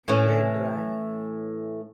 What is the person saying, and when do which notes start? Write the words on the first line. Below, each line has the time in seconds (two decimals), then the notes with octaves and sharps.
It weighed dry.
0.08 A2 E3 C#4